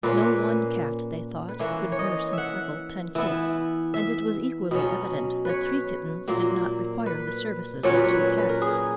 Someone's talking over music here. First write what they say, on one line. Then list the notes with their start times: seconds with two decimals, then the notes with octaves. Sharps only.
No one cat, they thought, could nurse and suckle ten kits, and it was equally evident that three kittens did not require the services of two cats.
0.03 A#2 A#3 C#4 B4
1.49 B4
1.59 E3 A#3 C#4 E4 C#5
1.92 C#5
1.99 D#5
2.33 E5 F#5
3.15 E3 B3 E4
3.94 E5
4.71 B2 F#3 C#4
5.45 B4 C#5
6.28 A#2 F#3 A#3
7.06 B4
7.83 A#2 F#3 C#4 C#5
7.94 B4
8.05 C#5
8.38 B4
8.49 A#4
8.62 G#4